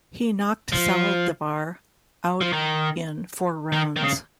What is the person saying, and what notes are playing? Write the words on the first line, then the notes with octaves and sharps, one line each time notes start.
He knocked Saldivar out in four rounds.
F3
F3
D#3
D#3
D#3
C#3